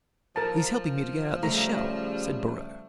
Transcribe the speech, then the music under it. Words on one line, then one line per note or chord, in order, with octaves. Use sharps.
"He's helping me to get out this shell," said Borrowe.
F3 A#4 A5
C#3 G3 A3 A#5